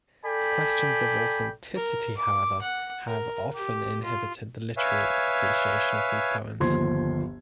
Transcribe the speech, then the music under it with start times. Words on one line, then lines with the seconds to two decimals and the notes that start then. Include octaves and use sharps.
Questions of authenticity, however, have often inhibited the literary appreciation of these poems.
0.25 A4 D5 G5 G#5 B5
1.75 A#4
2.17 D6
2.62 F#5
3.07 A#4
3.54 G4
4.04 F4
4.77 B4 C#5 E5 F5 G#5
6.60 G1 D#2 F3 C5 C6 G#6